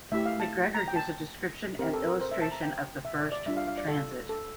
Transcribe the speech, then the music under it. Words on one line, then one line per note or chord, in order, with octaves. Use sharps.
Macgregor gives a description and illustration of the first "Transit".
A3 E4 G4 E5
F5
A5
A#5
G5
A5
C4 G4 A#4
A4
A#4
C5
E5
A5
A#5
G5
E5
D5
D5
G3 D4 F4 E5
F5
F5
D5
A4
A4